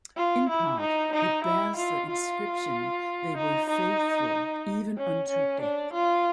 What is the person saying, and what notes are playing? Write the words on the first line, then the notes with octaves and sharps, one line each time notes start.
In part, it bears the inscription they were faithful even unto death.
F4
E4
D#4
D#4
E4
F4
F4
D#4
D#4
C#4
C#4
D4
F4